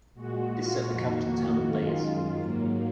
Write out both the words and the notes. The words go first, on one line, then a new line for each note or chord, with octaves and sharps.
This set the capital town ablaze.
A#2 G#3 F#4
F4
F2 D#3 A#3 F#4
F#2 D#3 G#3 F4
G#2 F#3 A#3